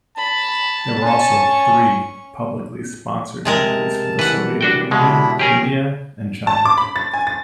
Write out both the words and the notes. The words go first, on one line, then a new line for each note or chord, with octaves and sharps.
There were also three publicly sponsored entities from the Soviet Union, India and China.
A5 B5
C#4 G#5 C#6
C3 G#3 A#4 A5
E3 B4 F#5
D4 F#4 G5
B2 G#3 D4 E4 B5
C#4 G4 G#4 A#4
A5
D6
B5
A6
G#5
A6